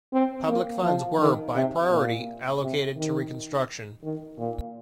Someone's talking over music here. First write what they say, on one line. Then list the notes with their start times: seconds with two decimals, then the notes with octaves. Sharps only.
Public funds were, by priority, allocated to reconstruction.
0.13 C4
0.48 A#3
0.83 F3
1.19 D#3
1.54 C3
1.90 A#2
2.61 C3
2.96 D#3
4.03 D#3
4.38 A#2